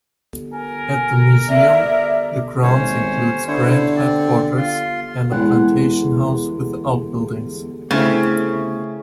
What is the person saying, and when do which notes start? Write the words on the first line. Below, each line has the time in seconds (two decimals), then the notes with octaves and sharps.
At the museum, the grounds include Grant's headquarters, and a plantation house with outbuildings.
0.54 A#4 G#5
1.49 D5 E5
2.63 D#1 C#4 C5 C#5
2.76 G#1
3.48 D3 E4 C5 C#5
3.96 C4 D5
4.57 F4 C6
5.32 E2 G#3 F#5
7.91 C#3 A3 C4 E4